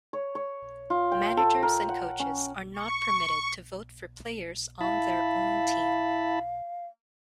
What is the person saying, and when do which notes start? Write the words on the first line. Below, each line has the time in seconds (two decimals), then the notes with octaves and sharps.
Managers and coaches are not permitted to vote for players on their own team.
0.13 C#5
0.35 C#5
0.90 F4
1.11 G5
1.37 A4
1.63 A#4
1.89 F#5
2.20 C#4
2.74 C#6
4.81 E4 F5 A5 B5